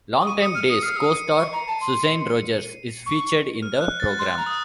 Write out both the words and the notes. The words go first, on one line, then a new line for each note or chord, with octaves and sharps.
Longtime Days co-star Suzanne Rogers is featured in the program.
D#6
C#6 D#7
D#6 C#7
F6 D#7
D#6 C#7
F6 C7
D#6
D#7
C#6 C#7
A#5
A5
C6
C#6
F6
F#6
A6
C6 F#6
A#5
D#6